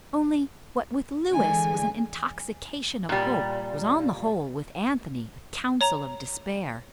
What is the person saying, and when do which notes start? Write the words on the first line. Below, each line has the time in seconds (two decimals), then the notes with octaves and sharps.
Only what with Louis was an intoxication of hope, was on the whole with Anthony a counsel of despair.
1.33 D3 E3 G#3 G#5
3.09 A#2 G3
5.81 C#5 A#5 F7